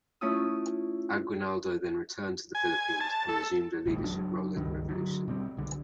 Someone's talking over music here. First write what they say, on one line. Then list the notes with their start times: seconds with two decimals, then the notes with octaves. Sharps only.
Aguinaldo then returned to the Philippines, and resumed a leadership role in the revolution.
0.21 A3 C#4 E4 F4 D#6
2.55 G#5
3.01 A5
3.29 A4
3.86 D#1 A#1 D#2 G#2
4.04 F#1 F#2 F#3 D4
4.56 C#2 G2 D#3
4.89 D3 F#3
5.28 B2 G3 C4
5.57 B1 D3